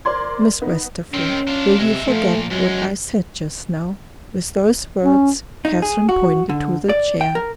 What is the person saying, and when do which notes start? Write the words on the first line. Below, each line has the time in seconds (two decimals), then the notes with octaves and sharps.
"Miss Westerfield, will you forget what I said just now?" With those words, Catherine pointed to the chair.
0.05 A#4 C5 D5 C6 G#6
0.62 B3 D#4
1.14 D#3 C4 C#4
1.47 D4 F4
1.79 C3 G#3 E5
2.08 A#2 F3 A3
2.50 F#2 F#3 G#3
5.02 C#4
5.65 D#4
5.82 G#4
6.09 F#4
6.49 D3
6.89 D5
7.21 G5
7.35 A#4